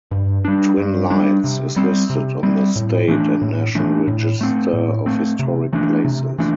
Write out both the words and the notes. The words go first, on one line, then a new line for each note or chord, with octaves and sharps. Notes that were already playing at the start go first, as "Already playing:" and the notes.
Twin Lights is listed on the State and National Register of Historic Places.
G2
G3 D4
G2
G3 D4
C3
G3 C4
C3
G3 C4
A2
E3 A3 D4
A2
E3 A3 D4
A2
A3 C4
A2
A3 C4
C3
E3 A3 D4
C3
E3 A3 D4